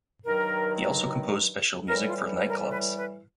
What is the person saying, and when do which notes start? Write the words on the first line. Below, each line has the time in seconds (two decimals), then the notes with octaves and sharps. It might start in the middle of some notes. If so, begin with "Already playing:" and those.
He also composed special music for nightclubs.
0.24 G2 D#3 F#3 A#4
1.88 A2 E3 G3 A#4
2.08 F4
2.49 A#4
2.70 B4
2.97 B4